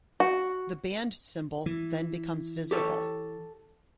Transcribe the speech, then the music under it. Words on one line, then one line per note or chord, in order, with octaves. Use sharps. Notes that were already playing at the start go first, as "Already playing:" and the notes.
The band symbol then becomes visible.
F#4
E3
G4 A4 C#5